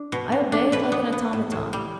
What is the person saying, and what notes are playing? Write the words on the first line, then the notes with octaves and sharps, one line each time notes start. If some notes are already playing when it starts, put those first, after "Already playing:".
I obeyed like an automaton.
Already playing: D4
B2
B2
D4
B2 B4
B3
B3
A2
A2
G3